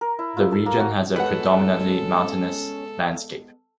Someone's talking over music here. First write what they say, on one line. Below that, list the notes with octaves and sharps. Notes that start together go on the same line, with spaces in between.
The region has a predominantly mountainous landscape.
A#4
E4
F4
A4
A#3
F#4
G#3 B3 C#4 A4 B4 F#5